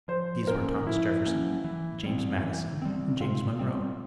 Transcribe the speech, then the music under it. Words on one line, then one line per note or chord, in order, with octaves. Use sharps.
These were Thomas Jefferson, James Madison and James Monroe.
F3 C5
C5
A#3 C#4 A#4
F3 E4
A#3 C#4
E3
G3 C4
E3
G3 C4
C3 F4
G3 C4